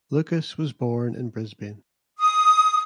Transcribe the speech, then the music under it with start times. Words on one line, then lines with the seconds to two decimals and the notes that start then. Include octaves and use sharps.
Lucas was born in Brisbane.
2.19 D#6